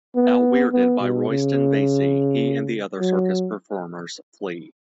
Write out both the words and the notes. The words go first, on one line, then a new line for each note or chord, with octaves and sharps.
Out-weirded by Royston Vasey, he and the other circus performers flee.
B3
B3
B2
C#3
F#3